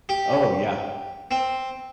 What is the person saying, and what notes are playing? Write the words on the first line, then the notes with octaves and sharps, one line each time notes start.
Oh, yeah.
G4
C4